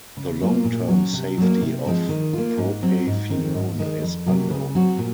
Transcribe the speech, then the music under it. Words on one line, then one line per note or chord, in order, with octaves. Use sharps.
The long-term safety of propafenone is unknown.
C#3
F#3 A#3 F4
A#2
F#3 C#4 F#4
C3
F#3 A#3
C3
F3 G#3 C4
D#3
A#3 F4
G#2
F#3 C4
G#2
D#3 G#3 C4
G#2
D#3 G#3
F2
C3 F#3 A#3
C#3
F#3 C4 F#4
A#2